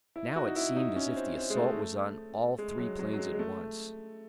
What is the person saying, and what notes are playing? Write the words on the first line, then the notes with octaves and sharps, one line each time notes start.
Now it seemed as if the assault was on all three planes at once.
E4
F#4
D#4
E4
D#4
C#4
C4
C4
G#3
A3
G#3
F#3
F#3
F#3
G#3
G#3
A3